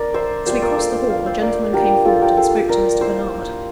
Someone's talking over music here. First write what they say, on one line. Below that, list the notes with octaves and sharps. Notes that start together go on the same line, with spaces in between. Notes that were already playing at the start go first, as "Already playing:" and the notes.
As we crossed the hall, a gentleman came forward, and spoke to Mr. Bernard.
Already playing: D4 A#4 D5
C5 E5
G3 A#3 F4 C5 E5
A#4 D5
A4 C5
D5 F5
C5 E5
A#4 D5
G3 D4 F4 G4 A#4
F4 A4
G4 A#4
A4 C5
A#4 D5
A#3 E4 C5 E5